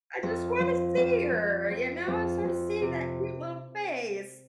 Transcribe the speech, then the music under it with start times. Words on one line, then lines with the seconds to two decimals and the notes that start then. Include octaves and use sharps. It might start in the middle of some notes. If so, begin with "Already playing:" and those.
I just wanna see her, you know, I just wanna see that cute little face.
0.23 F2
0.60 F3
0.97 F2
1.34 F2
1.71 F2
2.08 F2
2.45 F2
2.81 C3